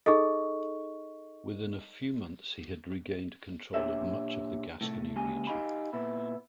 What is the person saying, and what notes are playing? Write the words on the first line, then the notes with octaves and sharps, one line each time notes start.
Within a few months, he had regained control of much of the Gascony region.
D#4 G#4 A4 D#5 C#6
A#2 D4 G4 C#5 E5
A2 C3 A3
C#3 G#3 A#3 G4 G#5
D#4 G4 D#5 F5 G#5 B5
A#2 B3 E4